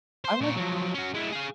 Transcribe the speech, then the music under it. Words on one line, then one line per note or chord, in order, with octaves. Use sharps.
I like
C5
A#2 C#5
F3 F#3
C#4 F#4
G#3 E4
G#4 F5